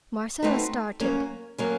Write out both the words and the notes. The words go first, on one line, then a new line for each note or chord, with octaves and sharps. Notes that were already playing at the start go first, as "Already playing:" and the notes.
Marcella started.
A3 C4 D#4 F#4 B4
F#3 A#3 C#4
F#3 A#3 C#4